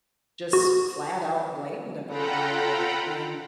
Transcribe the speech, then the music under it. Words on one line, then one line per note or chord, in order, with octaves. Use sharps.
just flat out blamed about all of it, and
F#4
F4 A4 F#5 G5 A#5 B5